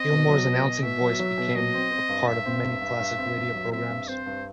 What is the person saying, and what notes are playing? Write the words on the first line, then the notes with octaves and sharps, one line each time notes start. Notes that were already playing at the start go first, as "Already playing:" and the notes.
Gilmore's announcing voice became a part of many classic radio programs.
Already playing: C4 D#5
B2
F#3
B2
B2
B2 E5
F#3
F#3
B2
F#3 D#5
C4
C4
G2
G2 E5
C4
G2
G2
G2
C4
G2
F#3
C4 E5
G2
C4 C5
G2